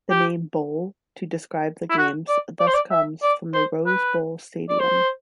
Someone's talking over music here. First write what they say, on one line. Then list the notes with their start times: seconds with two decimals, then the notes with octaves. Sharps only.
The name "bowl" to describe the games thus comes from the Rose Bowl stadium.
0.10 G4
1.90 E4
1.98 F#4
2.28 D5
2.60 D5
2.67 C5
2.75 D5
2.91 E5
3.23 D5
3.54 C5
3.86 B4
4.69 D5
4.80 C5